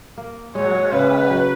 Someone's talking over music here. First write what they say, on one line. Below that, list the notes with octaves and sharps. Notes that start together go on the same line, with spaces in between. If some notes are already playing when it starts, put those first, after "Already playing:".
her, uh,
A#3
G#3 C#5
F#3
G#3
C#3 B4
F#3